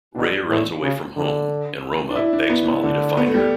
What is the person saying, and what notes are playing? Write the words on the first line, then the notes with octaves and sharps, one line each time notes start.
Ray runs away from home and Roma begs Molly to find her.
B2 D4
A2
C#3
D3
D4
E4
D4
B3
B3
D3 A3
B3
A3
G3